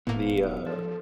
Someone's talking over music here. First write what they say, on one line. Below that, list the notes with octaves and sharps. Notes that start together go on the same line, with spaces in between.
the, uh
E1 A2 A#3 B3 F5
F3 A4